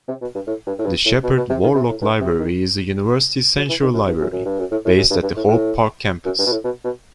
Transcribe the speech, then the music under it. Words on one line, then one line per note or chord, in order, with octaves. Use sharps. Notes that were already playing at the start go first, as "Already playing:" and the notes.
The Sheppard-Worlock Library is the university's central library, based at the Hope Park campus.
C3
B2
G2
A2
G2
A2
G2
A2
B2
B2
C3
D#3
C3
A2
G2
C3
D#3
F#3
E3
D#3
F#2
G2
F#2
F#2
G2
F#2
A2
A2
F#2
G2
G2
A2
A2
F#2
G2
B2
A2
B2
B2